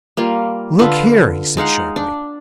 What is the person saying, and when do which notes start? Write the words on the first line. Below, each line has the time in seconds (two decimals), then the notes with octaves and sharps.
"Look here!" he said sharply.
0.17 G3 A#3 F4
0.79 D3 F4 A4 B4
1.57 G#3 D#4 F5 F#5
1.96 D4